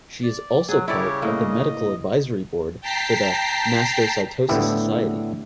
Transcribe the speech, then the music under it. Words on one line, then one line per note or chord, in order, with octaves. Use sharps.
She is also part of the medical advisory board for The Mastocytosis Society.
D5
F#3 G#4
C#3 G3 E4 G4 A4 C#5 D5
A2 A#3 D#5
G5 A5 A#5 B6 C7
A2 D3 B3 E4 G4